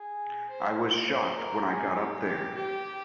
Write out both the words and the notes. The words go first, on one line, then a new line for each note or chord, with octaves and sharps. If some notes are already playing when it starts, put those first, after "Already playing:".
I was shocked when I got up there.
Already playing: G#4
C5
C5
A#4
G#4
G4
G4
G4